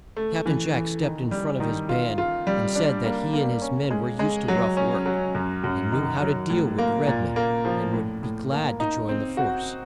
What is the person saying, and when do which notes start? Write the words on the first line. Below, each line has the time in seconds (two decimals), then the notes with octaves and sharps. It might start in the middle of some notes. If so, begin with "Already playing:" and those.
Cap-tain Jack stepped in front of his band and said that he and his men were used to rough work, and knew how to deal with the red-men, and would be glad to join the force.
0.17 A3
0.46 E3
0.74 E3
1.03 D#3
1.31 G3
1.60 D#3
1.89 F4
2.18 F4
2.47 G3
2.75 D4
3.04 A#3
3.33 A#3
3.62 C#4
3.91 G#3
4.19 G#3
4.48 F#3
4.77 C#4
5.06 F#3
5.35 F#2
5.64 F#2
5.92 D#3
6.20 F#3
6.50 A2
6.78 A#3
7.07 A#2
7.36 A#3
7.65 F3
7.93 A2
8.23 A2
8.51 A#3
8.80 D#4
9.09 C4
9.37 F#4